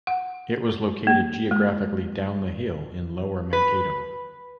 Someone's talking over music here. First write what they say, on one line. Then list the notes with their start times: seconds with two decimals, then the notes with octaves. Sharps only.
It was located geographically down the hill in lower Mankato.
0.07 F#5
1.07 A#3
1.51 G#3
3.53 B4